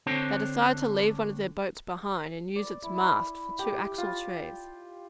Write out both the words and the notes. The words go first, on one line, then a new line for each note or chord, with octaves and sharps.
They decided to leave one of their boats behind, and use its mast for two axle-trees.
D3 C4 D4 C5 C#5
D5
E4
G4
F4